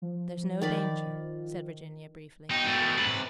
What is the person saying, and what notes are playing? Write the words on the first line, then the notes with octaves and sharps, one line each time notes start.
"There's no danger," said Virginia briefly.
F3
D#3 D5 B5
B2 D#4 G5
G#2 A3
C3 B4